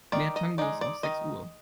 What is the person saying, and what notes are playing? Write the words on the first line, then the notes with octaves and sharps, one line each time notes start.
Mehr Tangos auf sechs Uhr.
D#3 D5
D#5
G#3 D#4 D5
D5
D#3 D#5